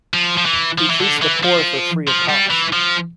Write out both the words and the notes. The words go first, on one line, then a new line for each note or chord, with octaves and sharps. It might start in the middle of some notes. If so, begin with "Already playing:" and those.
He treats the poor for free of cost.
F3
F3
E3
F3
E3
D3
E3
F3
F3
G3
E3
F3